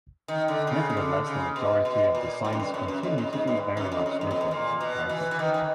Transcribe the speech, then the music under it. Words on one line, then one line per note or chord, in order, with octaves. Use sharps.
Nevertheless, the majority of designs continued to be very much Midland in character.
D#3
D3
C#3
C#3
D3
C#3
B2
B2
A#2
A2
F#2
G2
F#2
F#2
F2
F#2
G#2
G2
F#2
F2
F#2
E2
F2
E2
A#2
B2
E3
E3
D#3
E3